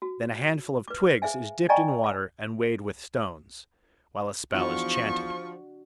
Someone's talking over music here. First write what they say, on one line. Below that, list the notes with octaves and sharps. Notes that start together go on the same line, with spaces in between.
Then a handful of twigs is dipped in water and weighted with stones, while a spell is chanted.
F#4
B4 D6
G#4 C5 E5 F5 G#5
D5 D#5 G5 G#5 A#5 C#6
F5
E2 F3 D4 F#4 C#6